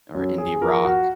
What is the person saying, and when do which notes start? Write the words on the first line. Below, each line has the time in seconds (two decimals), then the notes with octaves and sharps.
or indie rock,
0.15 F#2
0.38 G#4
0.62 F3 A#4
0.85 F#4